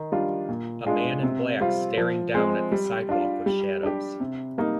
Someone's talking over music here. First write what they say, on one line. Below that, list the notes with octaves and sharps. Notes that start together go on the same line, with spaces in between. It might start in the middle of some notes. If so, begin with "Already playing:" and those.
A man in black staring down at the sidewalk with shadows.
Already playing: D#3
G3 D4 F4
A#2
G#3 D4 F4
C3
G3 C4 F4
F3
G#3 C4
G3
D4 F4
G3
D4 G4
C3
G3 A#3 D#4